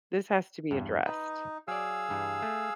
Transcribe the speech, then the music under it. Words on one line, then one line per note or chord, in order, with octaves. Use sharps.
This has to be addressed."
E2 G2
D#4 B4
F#3 G#4 D5 F5 E6
G2 E3 G3
A3